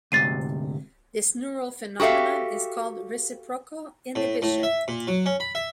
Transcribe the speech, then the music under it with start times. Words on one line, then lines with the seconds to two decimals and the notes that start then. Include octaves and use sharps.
This neural phenomenon is called reciprocal inhibition.
0.12 D2 G#2 C3 A6 C7 D#7
2.00 F#4 G4 A4 E5 F5
4.15 A2
4.42 A2
4.63 E5
4.88 A#2
5.07 F#3
5.26 C#4
5.40 B5
5.55 E5